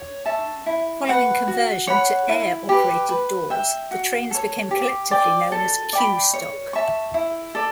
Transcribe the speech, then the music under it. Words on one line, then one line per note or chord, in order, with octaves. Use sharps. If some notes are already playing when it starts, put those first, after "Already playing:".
Following conversion to air operated doors, the trains became collectively known as Q Stock.
Already playing: C#5
E5 A5 C#6
E4
B4 F#5 C#6
F#4
C#5 F#5 B5
E4
G4 B4
B4
E5 G5
F#4
A4 C#5
G4
D5 G5
A4
D5 G5 B5
C#5
E5 A5 C#6
E4
A4 D5